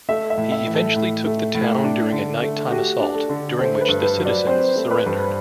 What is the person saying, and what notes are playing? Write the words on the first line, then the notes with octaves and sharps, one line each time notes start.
He eventually took the town during a night-time assault, during which the citizens surrendered.
A3 E5
E5
A2
E5
E3
A4
A2
A3
A2
D4
D3
A3
F#4 G4
D4
A4
D3
A3 C5
B4
G2
B4
F#3
D5
C4 C5
A3
B4
G2